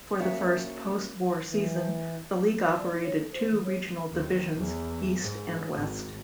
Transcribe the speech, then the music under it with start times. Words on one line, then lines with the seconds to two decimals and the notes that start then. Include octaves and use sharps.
For the first post-War season, the league operated two regional divisions, East and West.
0.19 A#3 C#4 F#4 E5
1.51 E3
2.77 D5
2.91 E4
3.04 C#5
3.16 A4
3.32 C5
3.50 E3
3.64 C#5
4.11 D#2
4.56 E2
5.21 G#2
5.71 G#1